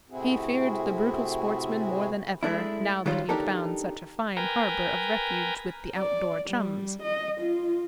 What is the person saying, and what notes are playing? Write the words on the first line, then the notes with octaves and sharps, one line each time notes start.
He feared the brutal sportsman more than ever, now that he had found such a fine harbor of refuge with the outdoor chums.
A2 C3 C4 E4 F#4 G#4
G#3 A3 D4 E4
D#3 F#3 G3 F4 C5
D4 D#4 G4 A4 A#4
A#4 B4 G5 G#5 A#5
D5
G3
D#5
F4